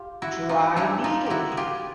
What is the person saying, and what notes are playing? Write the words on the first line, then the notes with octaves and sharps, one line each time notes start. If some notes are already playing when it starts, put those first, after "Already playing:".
dry needling?"
Already playing: F4 G4
E4 F#4
D#4 F4
D4 E4
D#4 F4
E4 F#4 G4
G#4
F4 G4